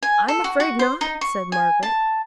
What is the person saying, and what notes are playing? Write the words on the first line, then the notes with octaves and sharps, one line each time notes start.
'I'm afraid not,' said Margaret.
G#5
A4
F#4
F#4
C5
D#4
C#6
G#5
A5